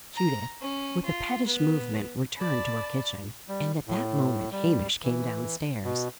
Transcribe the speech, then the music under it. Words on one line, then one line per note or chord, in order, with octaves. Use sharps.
Judith, with a pettish movement, returned to her kitchen; and at that moment Hamish came downstairs.
A#5
C#4
F4
B3
D5 A5 B5
G3
A2
G3
E3
B2